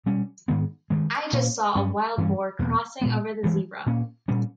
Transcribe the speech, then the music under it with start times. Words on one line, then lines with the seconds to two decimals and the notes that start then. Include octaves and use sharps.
I just saw a wild boar crossing over the zebra.
0.06 B2 G3 C#4
0.48 G#2 D#3 G#3 B3
0.90 G2 D#3 G#3
1.33 A#2 A#3 C#4
1.75 G2 G3 C#4
2.18 G2 E3 G3 C#4
2.59 E2 B2 A#3
3.01 A#2 G#3 B3
3.43 G2 E3 G#3
3.86 A#2 A#3 C#4
4.28 A#2 G3 C#4